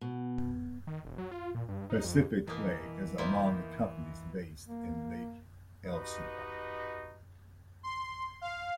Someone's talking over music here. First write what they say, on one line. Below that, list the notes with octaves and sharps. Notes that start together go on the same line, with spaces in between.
Pacific Clay is among the companies based in Lake Elsinore.
B2
D#3
E1
F#3
F4
A#2
G2
D#4
F2
B2 E3 A#3 D#4 D#5
A#3 B3 D#4 E4 C5
A#3
D#4 F#4 G4 B4 D#5
C6
F5